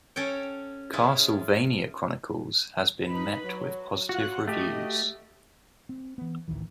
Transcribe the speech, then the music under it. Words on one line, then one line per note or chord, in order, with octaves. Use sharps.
"Castlevania Chronicles" has been met with positive reviews.
C#4 A4 C#5 G5
C#4 E4 F4 G#4 C5
D#4 B4 B5
F#3
F4 F#4 F#5
A3 F#4 G4 D#5
C4
E3 B3
A1 D2 D#3 E3